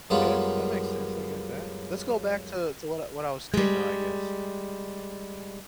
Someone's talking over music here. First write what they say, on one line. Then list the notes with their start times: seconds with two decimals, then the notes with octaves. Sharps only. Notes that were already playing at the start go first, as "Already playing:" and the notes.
Okay, that makes sense, I get that. Let's go back to to what what I was saying, though, I guess.
0.10 F#2 G3 G#3 B3 F4
3.54 G3 G#3